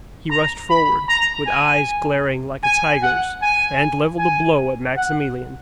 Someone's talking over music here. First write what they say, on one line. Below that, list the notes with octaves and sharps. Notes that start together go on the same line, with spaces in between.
He rushed forward, with eyes glaring like a tiger's, and leveled a blow at Maximilian.
A#5
B5
A#5
G#5
G#5
F#5
G#5
G#5
F#5